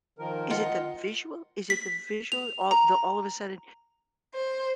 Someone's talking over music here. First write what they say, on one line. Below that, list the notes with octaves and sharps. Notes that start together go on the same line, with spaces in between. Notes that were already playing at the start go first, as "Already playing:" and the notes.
is it the visual is it the visual? All the all of a sudden,
D#3 F3 A#4
F4 D#5 F#5
B6
F7
A#5
C5